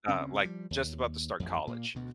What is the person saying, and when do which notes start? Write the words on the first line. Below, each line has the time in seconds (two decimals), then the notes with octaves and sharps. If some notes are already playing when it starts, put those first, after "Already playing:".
uh, like, just about to start college,
0.08 D2 C#3 C4 C#4
0.44 F3 G3
0.71 D#2
1.40 A1 F2
1.67 A#2 A#3
1.95 D2 B2